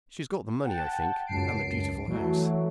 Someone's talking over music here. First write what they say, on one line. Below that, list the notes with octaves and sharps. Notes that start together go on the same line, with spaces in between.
"She has got the money, I think--and the beautiful house."
F#5 G5 A5
C#2 F#2 A5 C7 D7
E3 F#3 A3